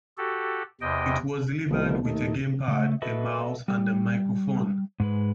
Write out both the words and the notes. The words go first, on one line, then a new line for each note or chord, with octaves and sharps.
It was delivered with a gamepad, a mouse and a microphone.
F#4 G4 A4
E2 C3 D#5 G5
C2 F3 A3 B3
D#2 A3 D#4
C#3 A3
F#4 A4 B4 D#5 E5
G3
G#2 G#3 B4